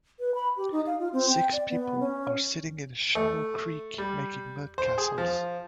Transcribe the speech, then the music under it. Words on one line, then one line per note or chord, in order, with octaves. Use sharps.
Six people are sitting in a shallow creek making mud castles.
B4
B5
G4
D#4
F5
F4
C4
G5
D5
B3
C#4
A3
G3
C5
G#4
F3